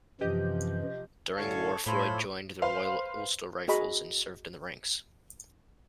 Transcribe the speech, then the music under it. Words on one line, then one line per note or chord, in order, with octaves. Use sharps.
During the war Freud joined the Royal Ulster Rifles and served in the ranks.
F#2 C3 E3 F3 G4 D#5 G6
A2 D3 C#4 A4 C#5 F5
A2 F4 A4 C5 C#5 B5
B4 C5 F5 C6
F#4 G#4 D#5 B5 C#6